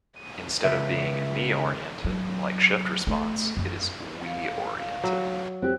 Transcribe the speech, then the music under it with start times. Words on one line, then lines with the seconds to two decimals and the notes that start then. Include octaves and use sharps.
Instead of being me-oriented like shift response, it is we-oriented.
0.16 D#7
0.64 C#2 E5 B6
2.04 F#3
3.07 A3
3.57 F#2
4.24 F5
4.77 F5
5.03 F#3
5.62 C4 G4 F#6